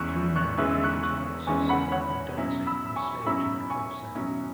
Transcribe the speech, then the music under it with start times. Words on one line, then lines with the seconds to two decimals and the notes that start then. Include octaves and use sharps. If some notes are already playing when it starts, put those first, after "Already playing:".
Three men are playing guitars, singing, and dancing on a stage in a club setting.
Already playing: E2 E3 G#3 C#4 E4 C#6 F#6
0.36 C#6 F#6
0.57 E2 E3 G#3 C#4 E4 F#6
0.71 E6
0.84 C#6 F#6
1.03 C#6 F#6
1.47 E2 E3 G#3 C#4 E4 G#5 C#6
1.69 F#5 B5
1.92 C#5 F#5
2.36 B2 F#3 C#4 E4
2.67 B5 E6
2.86 E6
2.96 G#5 C#6
3.22 C#6
3.26 B2 F#3 C#4 E4 B5 E6
3.70 G#5 C#6
4.15 B2 F#3 C#4 E4